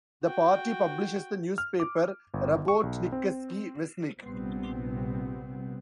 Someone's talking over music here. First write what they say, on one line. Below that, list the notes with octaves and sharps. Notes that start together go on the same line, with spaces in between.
The party publishes the newspaper "Rabotnicheski Vestnik".
F#4 G5
F6
D6
G1
C#6
B1
C4
A#1 C3 G3 B3 C4